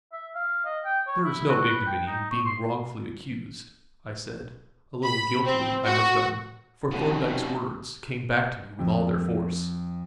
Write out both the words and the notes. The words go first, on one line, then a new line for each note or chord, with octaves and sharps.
"There is no ignominy in being wrongfully accused," I said--a little guiltily, I must own, for Thorndyke's words came back to me with all their force.
E5
F5
D#5
G5
C#5
E4
F#4
B4
G5
D#4
C#6
C6
B5
C4
F#4
F1 G2 B2 C#4 D#4 G4
F2